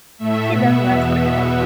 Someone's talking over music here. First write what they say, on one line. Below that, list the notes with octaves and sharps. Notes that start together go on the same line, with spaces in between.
He then left the club.
A2 A3 E5
B2 B3 E5
E2 B2 B3 E5